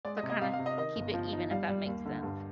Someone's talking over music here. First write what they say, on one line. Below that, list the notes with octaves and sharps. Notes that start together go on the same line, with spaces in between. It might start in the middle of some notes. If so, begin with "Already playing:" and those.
So, kinda keep it even if that makes sense.
G#3 D5
D#5
C3
D#5
C3 F5
F5
C3
D#5
D#3 D#5
G1
F3
D#4
G3 F5
G3
D#2
D3
G2